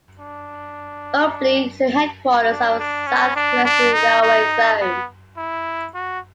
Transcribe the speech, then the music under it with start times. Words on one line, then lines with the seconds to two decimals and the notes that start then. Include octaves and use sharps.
Hubli is the headquarters of the South Western Railway zone.
0.19 D4
2.50 D4
2.79 D4
3.07 C#4
3.35 D4
3.65 D4
3.93 D#4
4.22 D#4
4.80 B3
5.37 E4
5.94 F#4